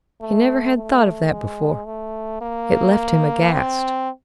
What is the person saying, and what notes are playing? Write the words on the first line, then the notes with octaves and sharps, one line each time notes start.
He never had thought of that before--it left him aghast.
A3
A3
G#3
A3
A#3
C4